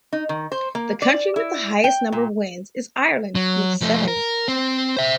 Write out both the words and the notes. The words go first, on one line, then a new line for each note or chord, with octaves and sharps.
The country with the highest number of wins is Ireland, with seven.
D#4
D#3
C5
A#3
D5
E4
G5
A#2
F#3
F3 A3
A#4
C4
C5 E5